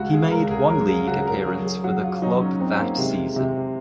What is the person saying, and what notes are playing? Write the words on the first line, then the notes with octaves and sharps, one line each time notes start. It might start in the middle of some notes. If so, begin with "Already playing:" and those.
He made one league appearance for the club that season.
Already playing: C#2 F#4
G#4
C#2 A#4
G#4
F#3 A#4
G#4
C#3 F#4
A#4
F#3 G#4
G#4
F#3 F#4
F4
F#3 D#4
C#4
C4 D#4
A#3
C3 G#3
C3